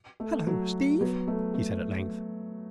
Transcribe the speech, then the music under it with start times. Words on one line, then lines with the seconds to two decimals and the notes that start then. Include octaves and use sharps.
"Hello, Steve," he said at length.
0.20 A3
0.47 F#3
1.00 F#3 B3
1.27 A3
1.54 A3